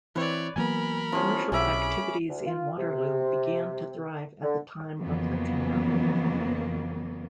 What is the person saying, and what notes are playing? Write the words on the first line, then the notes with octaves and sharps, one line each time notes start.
Commercial activities in Waterloo began to thrive at the time of the canal.
E3 C4 E4 B4 C#5 D5
E3 F#3 A#3 B3 A#4 G#5 B5
F3 C4 C#4 E4 G4
B1 G#4 E5 G#5 B5 D6
D2
F4
C3
D3
F2 C#3 E3 F#3 A#3 B3